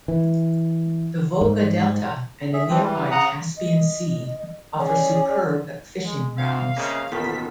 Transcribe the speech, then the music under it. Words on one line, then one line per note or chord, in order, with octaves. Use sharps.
The Volga Delta and the nearby Caspian Sea offer superb fishing grounds.
E3
G#2
G#4 E5
E3 F3 C4
E3 G3
C#3 F#5 A#5 D#6 F#6
D#5
C#4 G#4 D5
G#3
D2 F5
C#3 A#3 C4 G#4 D#5 E5
A1 D#2 B2 D#3 B3 F4 A4 B6